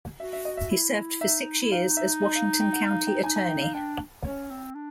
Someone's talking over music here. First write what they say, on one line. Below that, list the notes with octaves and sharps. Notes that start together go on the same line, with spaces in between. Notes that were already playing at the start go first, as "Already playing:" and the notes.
He served for six years as Washington County Attorney.
F#4 E5
E5
D#5
E5
E4
D#4 E5
E4
D#4 F5
E5
D#5
F5
G5
F#5
F5
G5
D#4 G#5
G#5
G5
F5
D4 G5
C#4 C#5
C4
D4